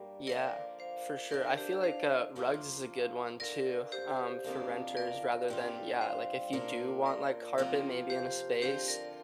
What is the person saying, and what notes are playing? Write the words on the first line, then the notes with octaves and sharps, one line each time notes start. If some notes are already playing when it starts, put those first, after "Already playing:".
Yeah, for sure, I feel, like, uh, rugs is a good one too, um, for renters rather than, yeah, like, if you do want, like, carpet maybe in a space?
Already playing: G2 G3 A#3
D3 F3 A#3 A#4 D5
C5 F5
D3 F3 D4 A#4 D5
A#4
G4 C5
C5 F5
G2 F3 A#3 F4
D3 A#3 F4 A#4 D5
G4 C5
F2 C3 A#3 D4 F4
A#4 D5
G2 G3 C4 F4
C5 F5
A#2 A#3 D4 F4
A#4 D5
C3 F3 A#3 F4
G4 C5
D3 F3 C4 F4 G4 C5
A#4 D5